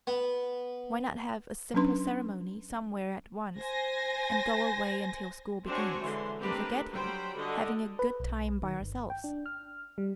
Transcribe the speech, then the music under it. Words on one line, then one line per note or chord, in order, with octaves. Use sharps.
Why not have a simple ceremony somewhere at once, and go away until school begins, and forget him, having a good time by ourselves?
B3
F#3 C#4 D4 B4 C6
C5 G#5 A#6
C4 D4 F#4 C5 C#5 G#5
D3 E3 G#3 C6
A3 C4 D4 G4 A#4 B4
F#3 G3 C5 G5 B5
D3 F#4 D#5
B4
B1
D#3
G1
G5
D4
F6
G3